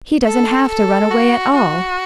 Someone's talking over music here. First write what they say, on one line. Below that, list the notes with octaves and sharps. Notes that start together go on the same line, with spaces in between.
He doesn't have to run away at all!
A4
A4
F#4
F#4